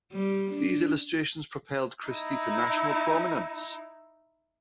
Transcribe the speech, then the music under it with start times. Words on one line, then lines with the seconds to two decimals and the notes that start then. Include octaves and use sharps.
These illustrations propelled Christy to national prominence.
0.13 G3
0.51 D4
2.08 D#4 E4